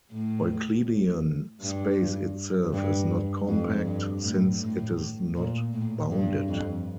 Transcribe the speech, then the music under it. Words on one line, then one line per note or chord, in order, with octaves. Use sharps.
Euclidean space itself is not compact since it is not bounded.
A2
G2
G2
F2
G2
A2
A2
A#2
A2
G2
F2